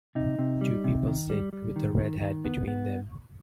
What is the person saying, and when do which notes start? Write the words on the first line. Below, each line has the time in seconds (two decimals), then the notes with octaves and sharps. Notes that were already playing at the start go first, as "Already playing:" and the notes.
Two people sit with a red hat between them.
0.15 C3 D#4
0.39 C3
0.61 G3
0.84 C3
1.07 D#3
1.30 G3
1.53 G3
1.76 D#3
1.99 D#3
2.21 D#3
2.45 B3
2.68 B3